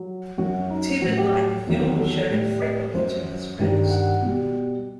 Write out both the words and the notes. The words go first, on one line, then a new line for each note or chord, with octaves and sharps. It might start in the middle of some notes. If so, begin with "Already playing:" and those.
Tibbett liked the film and showed it frequently to his friends.
Already playing: F#3
F#2 F#3 F#4
D#4
A2 F#3 F#4
G4
E2 D#3 F#3
A4
A2 G3
D#5
F#2 F#3 C5
G2 D#3 G3
F#5
B2 G3